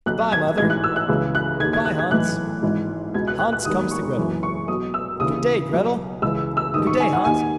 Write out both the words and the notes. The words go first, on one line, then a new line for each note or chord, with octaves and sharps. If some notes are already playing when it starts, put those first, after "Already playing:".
Goodbye, mother.' 'Goodbye, Hans.' Hans comes to Gretel. 'Good day, Gretel.' 'Good day, Hans.
B1 B2 F#6
G#6
A1 G#2 E3 G#6
F#6
E6
F#6
C#2 C#3 E3
F#6
D#2 D#3 G#6
G#6
F#6
G#6
B1 A2 E3 F#6
G#1 G#2 E3
C#2 B2 G#6
F#6
F#6
F#6
E1 D#2 D#3 D#6
C#6
F#1 F#2 E3
C#6
B1 B2 D#6
E6
D#2 C#3 E3 D#6
B1 B2
C#2 C#3 E3 E6
E6
A1 G#2 D#3 D#6
C#6
G#5
F#5
D#2 D#3 G#5